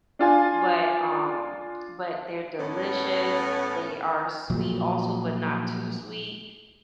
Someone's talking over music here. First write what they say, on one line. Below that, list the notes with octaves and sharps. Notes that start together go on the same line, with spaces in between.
but, um, but they're delicious, they are sweet also, but not too sweet,
D4 F4 G#5
A2 B3 C#4 C#5
A#2 F3 F#3